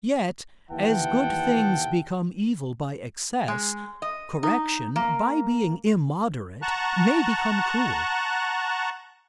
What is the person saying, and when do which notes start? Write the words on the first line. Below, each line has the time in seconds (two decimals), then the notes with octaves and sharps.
Yet, as good things become evil by excess, correction, by being immoderate, may become cruel.
0.71 D#2 E3 E5 F#5 G5 A5
3.48 G#3
4.02 D#5
4.43 D#4
4.96 A#3
6.62 F#5 A5 A#5 C#6 F#6